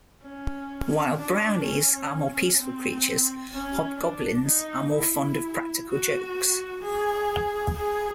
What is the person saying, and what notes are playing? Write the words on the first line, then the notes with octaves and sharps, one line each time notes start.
While brownies are more peaceful creatures, hobgoblins are more fond of practical jokes.
C#4
D4
C#4
C4
C#4
D4
D#4
E4
F#4
G#4
G#4